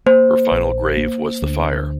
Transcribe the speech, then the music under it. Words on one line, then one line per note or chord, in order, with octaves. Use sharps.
Her final grave was the fire.
A#3 C5
A#1
A#3
D2